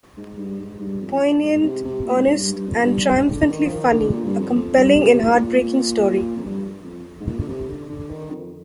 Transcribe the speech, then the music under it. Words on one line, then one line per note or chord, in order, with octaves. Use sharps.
Poignant, honest and triumphantly funny... A compelling and heartbreaking story.
G#2
G2
G#2
G2
F2
G#2
C3
C3
A#2
G2
G#2
G2
G2
F2
G2
G2
G#2
D3
D#3
F3
D#3
D3
A#2
G2
F2
F2
G2
C3
A#2
G#2
A#2
F2
G2
F2
G#2
A#2
D3
C3
D3
D3
D#3
F2